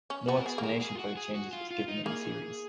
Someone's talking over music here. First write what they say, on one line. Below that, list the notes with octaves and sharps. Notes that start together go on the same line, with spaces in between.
No explanation for the changes was given in the series.
C#4
B3 F#4
A#4
B3 G#4
A#3
G#3 A#4
G#4
F4
F#4
G#4
F#4
F4
F4
D#4
A#3 G#4